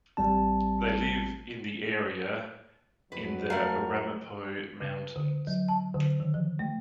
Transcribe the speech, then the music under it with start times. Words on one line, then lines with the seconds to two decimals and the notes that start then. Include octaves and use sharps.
They live in the area in the Ramapo Mountains.
0.17 A1 G3 C4 A5
3.12 F2 F#3 B4
3.50 A3 A#4 F5
4.80 C#3
5.16 D3
5.47 F#3
5.68 A5
5.94 D3
6.20 D#3
6.34 F3
6.59 A3